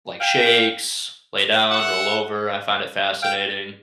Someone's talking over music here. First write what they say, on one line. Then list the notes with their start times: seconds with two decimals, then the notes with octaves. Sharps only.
like, shakes, lay down, roll over, I find it fascinating.
0.21 F5 G5
1.71 E5 F#5
3.22 F5 G5